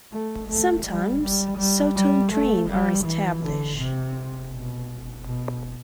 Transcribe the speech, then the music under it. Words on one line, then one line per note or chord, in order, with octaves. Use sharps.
Sometimes "sotto 'ndrine" are established.
A3
A3
G3
G3
G3
G3
A3
G3
E3
D3
C3
B2
B2